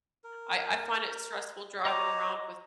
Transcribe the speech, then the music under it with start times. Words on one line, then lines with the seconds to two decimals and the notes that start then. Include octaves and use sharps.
I I find it stressful driving around with
0.24 A#4
1.85 F#4 C5 C#5 D#5 A#5 D6